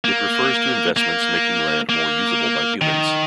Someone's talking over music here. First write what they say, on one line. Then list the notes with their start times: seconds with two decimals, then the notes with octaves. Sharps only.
It refers to investments making land more usable by humans.
0.04 A#3
0.96 A#3
1.89 A#3
2.81 D#3